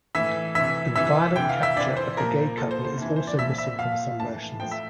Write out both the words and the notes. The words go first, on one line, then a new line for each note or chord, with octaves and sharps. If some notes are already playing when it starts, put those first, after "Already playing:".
The violent capture of the gay couple is also missing from some versions.
A2 E3 E5
C3 E3 E5
C3 E3 E5
C3 E3 G5
F5
E5
C3 E3 D5
C5
A#2 F3 A#4
A#2 F3 A4
C5
C5
C3 E3
C5
D5
A#2 F3 E5
E5
A#2 F3 F5
A2 E3 A5
A2 F3 G5
E5